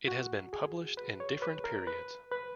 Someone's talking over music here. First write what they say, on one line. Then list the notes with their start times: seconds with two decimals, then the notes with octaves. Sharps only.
It has been published in different periods.
0.08 F#4
0.53 G#4
0.97 B4
1.20 C#5
1.42 B4
1.64 A#4
1.87 B4
2.32 B4